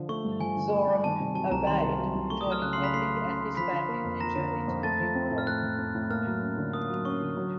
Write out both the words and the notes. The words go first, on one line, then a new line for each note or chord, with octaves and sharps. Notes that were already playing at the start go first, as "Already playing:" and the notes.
Zoram obeyed, joining Nephi and his family in their journey to the New World.
Already playing: D3 F3
A3 C#6
G2
F3 G#5
D3
A3
G2
D#3 A5
C3
F#3 A5
C2 A#5
D#3 C6
C3
F#3
C2
A3 C#6
D#6
F#3
F6
C#3 F#6
C#3 C6 C7
B5 B6
A3 C6 C7
F#3
C#3
C#3
F3 B5 B6
D3
A#3
F2
F3 A#5 A#6
D3
A#3
F2
A3 A5 A6
F3
C4
A2
F6
A3 F#6
F3
C4
A2
A#3 F6
F#3
C#4
D3
A#3 D#6
F#3
C#4 C#6
D3
F#3